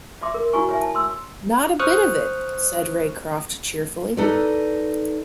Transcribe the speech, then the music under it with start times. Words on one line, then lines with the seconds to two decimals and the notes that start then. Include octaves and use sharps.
"Not a bit of it," said Raycroft cheerfully.
0.21 D5 E5 C6 D6
0.34 A#4
0.53 E4 F#4 D5 G#5 C#6
0.69 C#5 E5 G#5
0.81 A5
0.95 C6 E6
1.79 C5 C#6 D#6 F6 F#6
4.17 D#4 A4 B4 D5